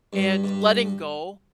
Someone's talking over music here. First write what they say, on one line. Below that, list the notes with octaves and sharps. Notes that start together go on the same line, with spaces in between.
and letting go
G2
G2